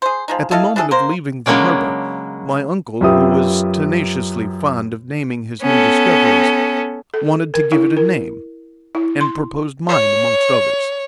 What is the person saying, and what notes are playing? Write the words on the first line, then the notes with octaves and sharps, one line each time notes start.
At the moment of leaving the harbour, my uncle, who was tenaciously fond of naming his new discoveries, wanted to give it a name, and proposed mine amongst others.
G#4 C5
F3 G#3 D#4
E4 A4 D#5 F5
D4 E4 G#4 A4
A#3 A#4 C5
C#3 F#3 G#3 A#3 C#4 D4
F#2 F4 G4 B4 E5 D#6
B3 C#4 A4
A4
A#4
E4
A#4
E4
C6
C#5